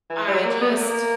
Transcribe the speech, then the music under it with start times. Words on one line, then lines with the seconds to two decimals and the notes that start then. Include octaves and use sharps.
I just
0.10 E3
0.27 G3
0.33 F#3
0.45 A#3
0.61 B3
0.71 A3
0.76 A#3